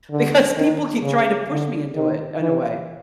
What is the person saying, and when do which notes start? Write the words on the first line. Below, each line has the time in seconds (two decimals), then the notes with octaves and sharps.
because people keep trying to push me into it, in a way,
0.11 D3
0.57 D#3
1.03 C#3
1.50 D3
1.95 D#3
2.41 E3